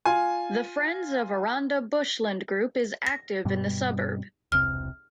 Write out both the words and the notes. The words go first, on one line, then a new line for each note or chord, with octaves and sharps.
The Friends of Aranda Bushland group is active in the suburb.
F4 G#5
A#6
G2 B2 G3
E1 C2 C3 F6